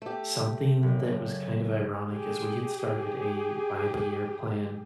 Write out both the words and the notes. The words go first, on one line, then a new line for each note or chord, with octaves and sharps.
something that was kind of ironic is we get started a five-year plan,
A3 G4
F#1
G4 G#4